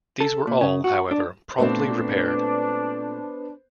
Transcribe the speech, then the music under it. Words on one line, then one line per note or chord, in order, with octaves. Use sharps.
These were all, however, promptly repaired.
A4
A#2
C#3
F#4
D4
A#2 A3 B3 C4 D4 C5